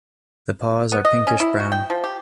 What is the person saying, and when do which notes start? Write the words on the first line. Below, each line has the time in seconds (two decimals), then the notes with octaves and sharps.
The paws are pinkish brown.
0.92 B3
1.05 D#5
1.27 C#4
1.40 E4
1.60 F#4
1.72 G5
1.90 F3
2.04 G4